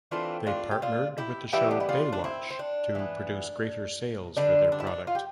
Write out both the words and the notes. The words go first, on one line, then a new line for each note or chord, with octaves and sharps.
They partnered with the show "Baywatch" to produce greater sales for their product.
E3 A3 C4 D4 F4
D4 F4
G4
D4 F4
E4 G4
E3 G3 B3 E4 G4
D4
E4
D4 F4
D4
C4 E4
C4
D4
E3 B3
D3 G3 B3 D4
D4
E4
D4
F4
G4